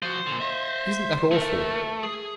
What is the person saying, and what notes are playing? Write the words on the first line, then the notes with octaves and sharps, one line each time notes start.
Isn't that awful!
F3 F#4 C5
A#2 D3
D#5 E5
D#2 A3 A#4
G#4